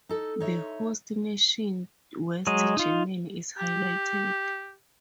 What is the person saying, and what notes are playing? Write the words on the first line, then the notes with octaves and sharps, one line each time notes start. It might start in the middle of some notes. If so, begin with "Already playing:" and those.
The host nation, West Germany, is highlighted.
D#4 A4
D#4 C#5 E5
F#3 G#3 D#5
D#4 F4
G4